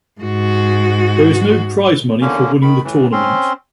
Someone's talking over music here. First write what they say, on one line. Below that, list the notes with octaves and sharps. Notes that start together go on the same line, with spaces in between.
There is no prize money for winning the tournament.
G#2 F#4
E2 D3 A#3 C#4
D#3 B5
A2 E3
C4 C#4 C6